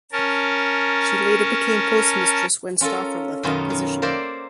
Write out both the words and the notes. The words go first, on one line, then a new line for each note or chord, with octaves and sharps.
She later became postmistress when Stauffer left that position.
C#4 A#4 A5
C#4 F4 A4 A#4
F#2 B2 D#3 C#4 D#4 F4
D#3
A#3 A#4 C5 D5 E5 G5